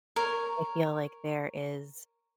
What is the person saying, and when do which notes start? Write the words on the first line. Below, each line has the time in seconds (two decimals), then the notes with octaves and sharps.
I feel like there is,
0.16 A#4 C#5